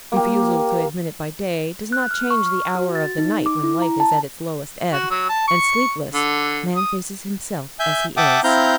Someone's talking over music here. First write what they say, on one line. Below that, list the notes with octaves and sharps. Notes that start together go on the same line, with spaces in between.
Refusal to admit it by day does not change the hour of the night when life is at its lowest ebb, and, sleepless, man faces himself as he is.
A#3 G4
F#6
F6
C#6
F6
F#4
A6
D#4
D6
E4
A#5
A5
F#4
F#3
A5
C#6
D3
D#6
E5 G#5 G6
E5 F#5 G5 A5 D6 D#6
C4 E4 F5 A#5 G6